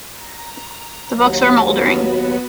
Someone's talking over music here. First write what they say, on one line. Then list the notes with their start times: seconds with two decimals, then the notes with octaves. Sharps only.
The books were mouldering.
0.14 A#5
1.14 D#2 F#3
1.61 B3 F#4 B4